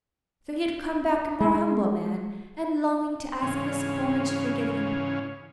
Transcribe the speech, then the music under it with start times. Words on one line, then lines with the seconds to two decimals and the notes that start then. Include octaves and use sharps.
So he had come back a more humble man, and longing to ask Miss Coleman to forgive him.
1.40 G#3
3.42 G#2 C#3 E3 C#4 C#5 F5